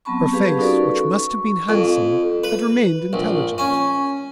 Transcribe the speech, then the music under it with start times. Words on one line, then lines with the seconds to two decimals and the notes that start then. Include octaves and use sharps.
Her face, which must have been handsome, had remained intelligent.
0.05 F#3 B3 C4 A5 B5 C#6
0.33 G4 G#4 B4 F5 A5 C#6
0.58 C#4 D#4 F#4 A4 A#4 D5
0.72 C#6
1.69 F2
2.44 B4
3.13 A#1
3.58 C#4